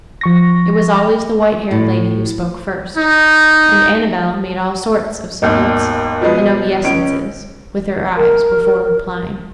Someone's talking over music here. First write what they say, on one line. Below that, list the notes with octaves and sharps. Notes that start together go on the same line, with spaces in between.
It was always the white-haired lady who spoke first, and Annabel made all sorts of salutes and obeisances with her eyes before replying.
F3 C#6 A#6
A2
D#4
G#1 D#2 B2 A#3
B2 F3 F#3 G#3 B3
C#2 C#4 D7
A#4